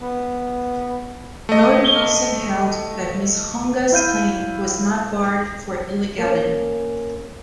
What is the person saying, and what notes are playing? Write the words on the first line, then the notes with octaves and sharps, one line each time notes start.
Lord Wilson held that Ms Hounga’s claim was not barred for illegality.
B3
A3 D#5
E4 F5 G6 D#7
A#3 C#4